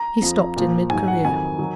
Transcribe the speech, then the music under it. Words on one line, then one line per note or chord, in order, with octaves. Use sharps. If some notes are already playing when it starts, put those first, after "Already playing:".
He stopped in mid career.
Already playing: A#5
F2 F3
A#2 F3
G#2 F#3 G#5
F#5
F2 D#3 F#3 G#5
D#3 F#3